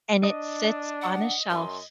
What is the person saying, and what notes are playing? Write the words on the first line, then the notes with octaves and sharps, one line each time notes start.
and it sits on a shelf
D4 D#5
F#5
F#2 C6